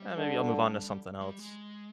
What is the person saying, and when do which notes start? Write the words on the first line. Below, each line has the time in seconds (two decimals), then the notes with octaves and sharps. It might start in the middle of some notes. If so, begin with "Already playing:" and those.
"Eh, maybe I'll move on to something else."
Already playing: G3
0.17 D3
1.21 G#3
1.30 G3
1.39 G#3